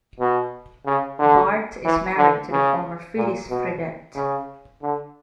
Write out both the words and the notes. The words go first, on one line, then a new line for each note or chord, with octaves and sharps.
Bart is married to the former Phyllis Fredette.
B2
C#3
D3
E3
D3
C#3
A#2
B2
C#3
D3